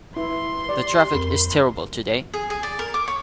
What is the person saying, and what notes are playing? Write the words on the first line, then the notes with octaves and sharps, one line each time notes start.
The traffic is terrible today.
E4 B4 C6
G4 D5
F2 C4 A#4 B5
G#4
G#4
D5
A#4
D6
C#5